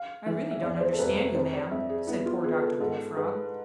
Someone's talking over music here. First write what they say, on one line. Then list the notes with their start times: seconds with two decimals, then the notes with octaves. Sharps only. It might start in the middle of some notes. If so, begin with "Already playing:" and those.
"I really don't understand you, ma'am," said poor Dr. Bullfrog.
Already playing: F5
0.26 E3 E5
0.51 E5
0.62 E2 D5
0.74 D5
0.81 C5
0.93 A4
0.99 F1 B4
1.17 B4
1.35 F2 C5
1.53 D5
1.71 F2 E5
1.89 G#4
2.07 B3 E4
2.26 F4
2.44 B3 G#4
2.53 B4
2.62 A4
2.80 G#2 A4
3.16 G#2 B4